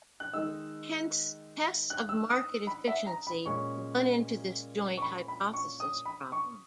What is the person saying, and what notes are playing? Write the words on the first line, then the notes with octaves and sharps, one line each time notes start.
Hence tests of market efficiency run into this joint hypothesis problem.
F#6
D#3 G#3 D#4 E6
F#6
E6
D#6
B5
E5
A#5
B5
A#2 G#3 C#4 C#6
C#6
B5
B5
C#6
D#6
B5
C#6